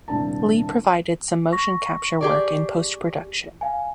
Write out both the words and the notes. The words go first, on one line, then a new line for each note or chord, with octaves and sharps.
Lee provided some motion capture work in post-production.
D#1 C2 C4 D4 A5
C#6 A#6
G4 G#4 D5
F5 G#5